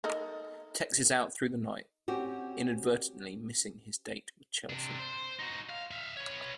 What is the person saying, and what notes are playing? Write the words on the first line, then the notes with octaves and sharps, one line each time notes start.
Tex is out through the night, inadvertently missing his date with Chelsee.
D#4 A4 A#4
C4 C#4 F#4 G4
C3 D4
C5
D#4 F#4
F5
E5 F5
B3 C#5